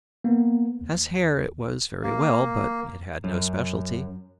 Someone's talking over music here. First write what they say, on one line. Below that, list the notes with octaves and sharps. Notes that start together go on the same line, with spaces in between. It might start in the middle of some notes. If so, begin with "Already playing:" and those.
As hair it was very well, but it had no speciality.
A#3 B3
D#2
A#3
F#2